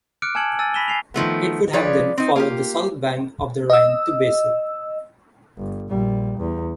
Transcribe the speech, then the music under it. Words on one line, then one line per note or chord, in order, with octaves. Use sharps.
It would have then followed the south bank of the Rhine to Basel.
D6 F6 F#6 C#7 D7
G#5 A5 E6 G#6 C#7 F#7
G#5 E6 A6 D#7
B5 A#6 B6 D#7 E7 G7
G#5 C7 F7
D#3 F3 A3 B3
F3 G#4 B4 C#5 D5
C4 D#4
A#3 F4 G4
D#5 E6
G1
A#1 G3
E2